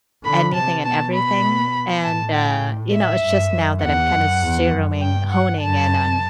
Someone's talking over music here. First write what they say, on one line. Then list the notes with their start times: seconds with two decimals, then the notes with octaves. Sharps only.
anything and everything, and, uh, you know, it's just now that I'm kinda zeroing honing in on,
0.24 D3 B5
0.55 C3 A5
0.84 B2 A5
1.14 B5
2.03 A2 A5
2.34 G5
2.93 E5
3.23 G2
3.53 F#2
3.82 E2 F#5
4.12 F#2
4.42 E2
4.72 F#2
5.02 G2 G5
5.32 F#5
5.61 F#2 A5